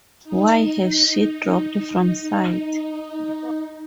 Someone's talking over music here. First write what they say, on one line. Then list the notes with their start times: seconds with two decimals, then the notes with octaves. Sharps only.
Why has she dropped from sight.
0.23 D#4
1.98 D#4